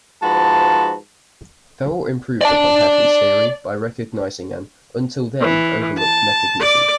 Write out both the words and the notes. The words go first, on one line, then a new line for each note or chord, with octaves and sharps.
Ferrel improved upon Hadley's theory by recognizing an until then overlooked mechanism.
G#2 F3 F#4 B4 A5
D5 A5
E3
A5
D5 D6